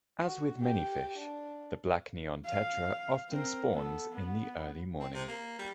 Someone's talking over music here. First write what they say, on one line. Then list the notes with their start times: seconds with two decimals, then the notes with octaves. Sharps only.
As with many fish, The black neon tetra often spawns in the early morning.
0.25 F#4
0.60 G4
1.18 D4
2.45 F5
3.29 C4 A#4
3.72 B3 A4
4.11 B3
5.00 C4
5.14 C3
5.28 A#3
5.59 G3